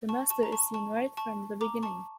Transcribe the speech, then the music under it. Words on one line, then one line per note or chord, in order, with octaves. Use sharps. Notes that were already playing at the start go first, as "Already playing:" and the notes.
The master is seen right from the beginning.
A5 C#6
A5 C#6
A#5
A5 C#6
A5 C#6
A5 C#6
A#5 D6
A5 C#6